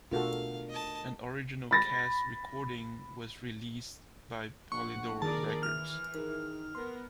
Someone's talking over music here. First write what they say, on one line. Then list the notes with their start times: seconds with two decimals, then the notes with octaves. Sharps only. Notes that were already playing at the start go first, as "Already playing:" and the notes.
An original cast recording was released by Polydor Records.
0.12 B2 A3 D4 F4 F#4 A4 A#4 F5
0.69 D#5 A5
1.71 B5 A6 A#6
4.72 A#1 F#5 C#6
5.22 D#3 G#4 A#4 D5 A5
5.63 E3 F6
6.15 D#3 G#4 A#4
6.75 B3 A#4 C6